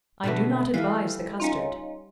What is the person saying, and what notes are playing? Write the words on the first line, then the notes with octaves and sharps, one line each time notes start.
I do not advise the custard.
B2 D3 A3 F#4 B4
E3 G3 A3 F5
C#4 D#4 F4